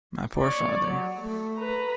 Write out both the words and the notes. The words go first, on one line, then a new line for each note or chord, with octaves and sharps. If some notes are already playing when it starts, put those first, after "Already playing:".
My poor father!
C#5 D5
F#3
A3
B4 A#5